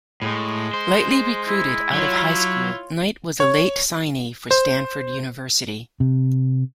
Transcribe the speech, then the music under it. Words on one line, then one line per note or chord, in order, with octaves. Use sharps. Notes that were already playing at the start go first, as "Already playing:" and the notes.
Lightly recruited out of high school, Knight was a late signee for Stanford University.
A2 G#3
C5
E4
F#3 F4 C#5
C#5
C5
C3